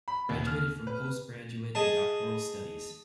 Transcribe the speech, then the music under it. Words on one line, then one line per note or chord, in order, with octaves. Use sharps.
Graduated from postgraduate and doctoral studies.
B5
D#2
F6
B4
G#4 D#5 A5